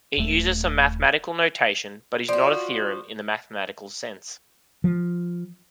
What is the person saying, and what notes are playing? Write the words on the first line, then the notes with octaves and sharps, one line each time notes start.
It uses some mathematical notation but is not a theorem in the mathematical sense.
D#1 A3
F3 F#4 D5
F3